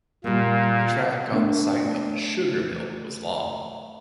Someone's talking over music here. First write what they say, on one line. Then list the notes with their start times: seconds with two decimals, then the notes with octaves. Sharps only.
The track on the site of the sugar mill was long.
0.24 A#2 G3 A#3 F5
1.32 A3 B3 D4 A#4